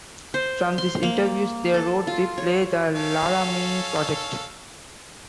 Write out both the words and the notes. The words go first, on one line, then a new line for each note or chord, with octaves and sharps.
From these interviews they wrote the play "The Laramie Project".
C5
C6
A#3
A4
F4
C#5
C#4 A4 F5